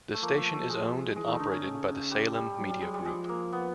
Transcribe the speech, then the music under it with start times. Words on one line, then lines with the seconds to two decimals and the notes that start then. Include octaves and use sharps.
The station is owned and operated by the Salem Media Group.
0.14 A3
0.22 F3 A#3
0.37 A3
0.54 A3
0.69 G#3
1.16 E3 G#3
1.24 F3
1.28 E3 A3
1.40 D3 D#4
1.51 D3 C#4
1.64 C#3
2.11 G3
2.35 G3
2.58 F#3
2.69 G3
2.81 G#3
2.94 G3
3.05 F3 G#3
3.29 A#3
3.52 B3